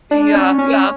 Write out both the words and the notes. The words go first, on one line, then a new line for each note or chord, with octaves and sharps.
Yeah, yeah.
D4
C#4
C#4